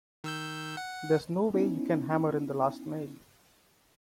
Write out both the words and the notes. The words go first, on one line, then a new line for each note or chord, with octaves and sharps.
There's no way you can hammer in the last nail.
D#3 E6 G6
F#5
B3 C#4 D#4 E4